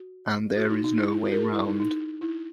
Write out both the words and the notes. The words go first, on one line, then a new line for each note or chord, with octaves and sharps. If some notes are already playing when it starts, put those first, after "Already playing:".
And there is no way round.
Already playing: F#4
F#4
D#4
D#4
E4
E4
F#4
A#4
G#4
E4
D#4
D#4
E4